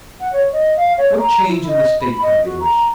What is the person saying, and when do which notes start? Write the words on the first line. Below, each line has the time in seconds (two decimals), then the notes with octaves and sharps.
What change in the state can they wish?
0.20 F#5
0.33 C#5
0.52 D#5
0.77 F5
0.98 C#5
1.19 A#5
1.48 E4
1.68 D#5
2.01 B5
2.22 D#5
2.45 F#4
2.60 A#5